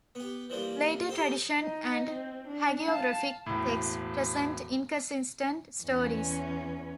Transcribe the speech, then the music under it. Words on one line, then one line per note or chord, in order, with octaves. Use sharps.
Later tradition and hagiographic texts present inconsistent stories.
B3 G4
E3 F3 G3 A#3
D#4 G4 A4 C5
D#4 D#5
C4
D4
F5 A5
E1 A2
E2 C#4